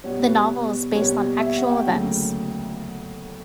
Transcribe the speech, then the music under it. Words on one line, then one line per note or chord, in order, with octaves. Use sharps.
The novel is based on actual events.
B2 G3 B3 C#5
B4
B2 G3 A#3 C#5
E5
F#5
G5
D2 C#3 F#3 A#3